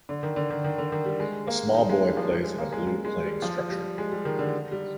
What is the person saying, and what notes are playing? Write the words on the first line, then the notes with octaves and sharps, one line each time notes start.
A small boy plays in a blue playing structure.
D3
D#3
D3
D#3
D#3
D3
D#3
G3
G#3
A#3
D#4
G#3
G3
F3
G3
G#3
A#3
G#3
G#3
G#3
G3
F3
G3
G#3
G3
D#3
D3
G3